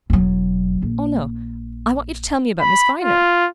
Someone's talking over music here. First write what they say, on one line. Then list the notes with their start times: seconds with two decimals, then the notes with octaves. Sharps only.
"Oh, no. I want you to tell me about Miss Viner."
0.10 E1 F#3
0.82 A#1
2.60 B5
3.03 F4